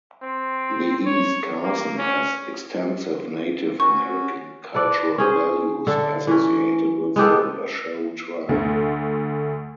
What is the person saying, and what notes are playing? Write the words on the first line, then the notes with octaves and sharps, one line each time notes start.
The East Carson has extensive Native American cultural values associated with the Washoe tribe.
C4
C#5
A#3
C#4
C#4 F#4 C#6
A4 B4 D5
C#4 G#4 C5
D3 A4 E5
E3 C#4
G#3 B3 G4 A4
D2 D3 A3